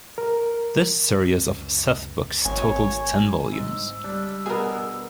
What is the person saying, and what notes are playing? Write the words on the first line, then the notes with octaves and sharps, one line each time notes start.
This series of "Seth books" totaled ten volumes.
A#4
C#2 F#2
G#1 F#3 A3 C#5 G#5
G#2 E6
G3 D4
B2 B3 G#4 A#4